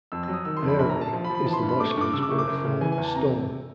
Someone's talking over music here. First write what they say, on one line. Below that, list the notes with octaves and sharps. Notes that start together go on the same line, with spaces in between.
Aere is the Marshallese word for 'storm'.
F2 E6
F#3 E6
D#6
D#3 E6
C6
F2
B5
A#1 B5
A#5
A#1
A5
F3
B5
F3
B5
E3 A5
C6
B5
G2
B5
A3 D6
C#6
G2 D6
C#3 E6
D6
F#1 C#6
D6
F#1
C#3
E3 G#5
G#5
E2
A5
C3 A#5